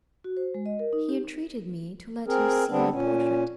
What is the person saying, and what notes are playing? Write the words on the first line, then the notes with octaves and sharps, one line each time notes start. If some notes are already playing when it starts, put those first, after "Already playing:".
He entreated me to let him see her portrait.
F#4
C5
G#3
D#5
A#4
D#4
G4
C4 G#4 A#4
D3 G3 B3 C4 D4
A#2 C#4